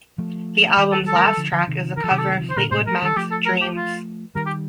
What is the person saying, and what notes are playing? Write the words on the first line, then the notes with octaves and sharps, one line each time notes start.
The album's last track is a cover of Fleetwood Mac's "Dreams".
F3 A3
D#3 G3 G4
A4
A4
A3 A#4
G3 A4
D3 F3
D3 F3
C3 D#3
D#3 A#4
F3 A4
C3 D#3 G4
A4
A3
G3
F3
D#3 C5
A#2 D3 A#4
A2 C3 C5
F3 A3 A#4
D#3 G3 A4
F3 A3 G4
A4
A#4
G4
F4
D#3 G3 A#4
G4